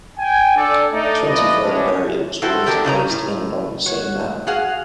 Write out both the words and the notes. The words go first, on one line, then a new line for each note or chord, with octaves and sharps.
Twenty further burials were later placed in and on the same mound.
G5 G#5
D4 A4 D5
A3 D4 D#4 D5
F3 G3 E4 B4 D5 D#5
E3 G3 A3 B3 C#4 D4
E4 F#4 G4 A4 C5
B2 E3 D4 G4 A4 A#4
C#3 C#4 D5 A#5
A2
F#4 C#5
F#4 G#4 F5 F#5